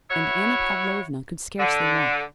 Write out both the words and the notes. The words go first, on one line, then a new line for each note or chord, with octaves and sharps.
And Anna Pavlovna could scarcely walk....
E4 F#4 C#5 E5
D3